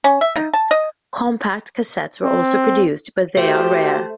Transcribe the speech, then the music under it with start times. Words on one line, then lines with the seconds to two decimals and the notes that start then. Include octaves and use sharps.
Compact cassettes were also produced, but they are rare.
0.04 C#4
0.21 E5
0.36 D#4
0.53 A5
0.71 D#5
2.24 C4
3.37 A3 F#4 G4 C5